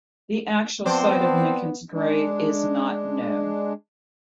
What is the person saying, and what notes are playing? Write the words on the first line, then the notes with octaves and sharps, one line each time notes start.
The actual site of Ninken's grave is not known.
F3 B3 C4 C5 D5
G#3 D4